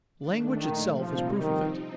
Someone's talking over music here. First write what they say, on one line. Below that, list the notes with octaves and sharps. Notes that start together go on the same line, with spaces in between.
Language itself is proof of it.
D#3 A3 D4
A#2 D#3 F3 A3
C3 F3 G3 C4 D#4
D#3 F3 C4 D#4